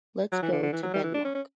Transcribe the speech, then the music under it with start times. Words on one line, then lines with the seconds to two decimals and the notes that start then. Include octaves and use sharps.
Let's go to Benlloc.
0.32 F#3
0.42 E3
0.52 D3
0.63 D3
0.72 E3
0.83 F#3
0.94 G3
1.03 E3
1.14 D4
1.25 C#4
1.35 C#4